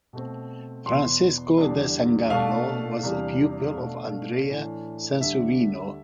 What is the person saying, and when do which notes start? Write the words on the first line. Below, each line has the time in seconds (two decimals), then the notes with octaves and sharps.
Francesco da Sangallo was a pupil of Andrea Sansovino.
0.13 B2 A3 C4
0.85 E2 B2 B3 C6
1.58 E2 D3 G3 D4
2.30 B2 A3 D4 F5
3.03 E2 C3 G3 D4
3.76 B2 A3 D4
4.49 A2 E3 A3 D4
5.21 D2 D3 G3 E5